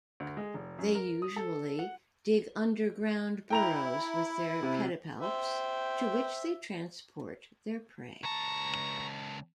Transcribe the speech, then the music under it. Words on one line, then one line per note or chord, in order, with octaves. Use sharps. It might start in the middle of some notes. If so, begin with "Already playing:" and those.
They usually dig underground burrows with their pedipalps, to which they transport their prey.
D2
G#3
F1
F#2
A#4
D#6
A4
F#5
E4 G5 A#5 F7
C3
C5 E5 G5
C#2 A5 A#5 C#6